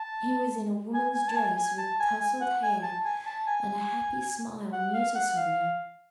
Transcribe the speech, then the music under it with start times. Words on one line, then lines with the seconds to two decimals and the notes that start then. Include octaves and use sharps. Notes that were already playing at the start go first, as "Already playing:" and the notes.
He was in a woman's dress, with tousled hair and a happy smile new to Sonya.
Already playing: A5
0.94 G#5
1.15 G#5
1.28 A5
1.36 G#5
1.57 G#5
1.78 A5
2.00 G#5
2.20 G#5
2.41 F#5
2.63 G#5
2.83 A5
3.04 G#5
3.26 A5
3.47 G#5
4.73 F#5
4.93 F5
5.15 F#5
5.36 F5